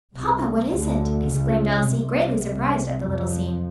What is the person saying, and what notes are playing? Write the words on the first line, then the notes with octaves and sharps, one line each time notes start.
"Papa! what is it?" exclaimed Elsie, greatly surprised at the little scene.
C2 C3
D2 D3
C#2 C#3
C2 C3
F2 F3